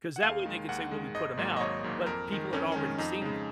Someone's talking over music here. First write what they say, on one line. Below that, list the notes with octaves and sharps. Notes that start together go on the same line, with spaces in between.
'cause that way they could say, "Well, we put 'em out," but people had already seen them,
F#5
D#2 F5
D#3 G#3
D#2 F#5
D#3 G#3
G#1 D#5
G#2 F#3 A#3
D#5
G#1 C#5
G#2 F#3 A#3
F2 A#4
D#3 G#3
F2 C#4
D#3 G#3 C#4
F2 D#4
C#3 G#3